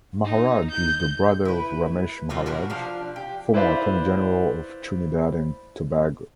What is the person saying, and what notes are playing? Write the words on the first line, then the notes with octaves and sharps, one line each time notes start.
Maharaj is the brother of Ramesh Maharaj, former Attorney General of Trinidad and Tobago.
D#4
G6
E4 B4
F#3 G3 A#3 F4
B2 F#4 A#4
F3 D4 F5
G4
E4 B4 C5 D5 E5 F5